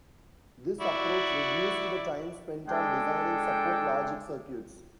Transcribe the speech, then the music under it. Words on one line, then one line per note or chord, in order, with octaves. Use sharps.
This approach reduced the time spent on designing support logic circuits.
E4 F#4 D5
G#3 D4 A4 G5